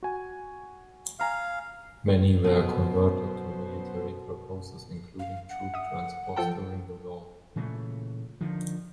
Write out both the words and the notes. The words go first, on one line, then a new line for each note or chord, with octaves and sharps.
Many were converted to military purposes including troop-transports during the war.
F#4 G#5
F5 G#5 A#5 F6
B2 F#3 B3 C5
F5
F#5
E5 D#6
F3 A4 G5 A5
A#2 C#3 E3 A3
D3 D#3 F3